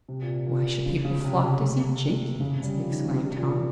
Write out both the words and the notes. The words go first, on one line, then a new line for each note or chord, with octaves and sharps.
"Why should people flock to see Jenkins?" exclaimed Tom.
C3
A#2
A#2
C#3
C#3
C3
C#3
G3
F3
D#3
C#3
C3
A#2